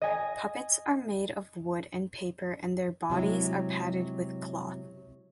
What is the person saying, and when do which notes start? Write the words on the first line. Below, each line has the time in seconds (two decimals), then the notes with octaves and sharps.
Puppets are made of wood and paper and their bodies are padded with cloth.
0.02 D#5 G#5 A#6
3.10 C3 F#3 G#3 E4